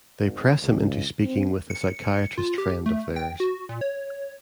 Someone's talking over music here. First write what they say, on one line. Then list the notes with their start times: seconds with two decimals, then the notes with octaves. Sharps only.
They press him into speaking with a psychiatrist friend of theirs.
0.20 G#1
0.62 C#2
1.22 C4
1.70 C#7
2.38 F4
2.58 G4
2.86 A3
3.16 G5
3.40 F#4
3.69 A#2
3.81 C#5